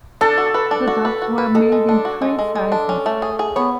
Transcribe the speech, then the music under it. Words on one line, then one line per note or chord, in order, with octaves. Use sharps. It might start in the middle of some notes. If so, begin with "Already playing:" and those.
The dogs were made in three sizes.
D4 A4
F#4
B4
D4
F#4
B4
F#4
B4
G#3 A4
G#3
D4
F#4
G#3
G#3
G#3
D4
C#4
A3
G#4
G#4
B3 C#5